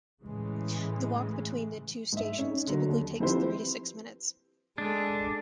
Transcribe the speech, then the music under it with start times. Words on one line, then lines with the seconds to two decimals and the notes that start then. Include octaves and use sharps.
The walk between the two stations typically takes three to six minutes.
0.22 A2 C#3 E3 G#3
2.13 G#2 E5
2.38 C#4 D#4
2.67 D3 F#3
2.89 D#2
3.20 F3 C4 E4 G4 B4 C5
4.78 G#3 D4 A4